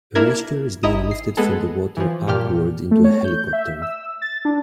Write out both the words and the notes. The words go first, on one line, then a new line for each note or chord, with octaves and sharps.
A rescuer is being lifted from the water upward into a helicopter.
A#3 D4 E4 A#4 G#6
G#1 E4 D#5 A#5 D#6 E7
C7
G#3 B3 G#4 A4
E3 F3
G2 A#2 G4 F6
A3
C#5
G6
E5
E6
A6
D4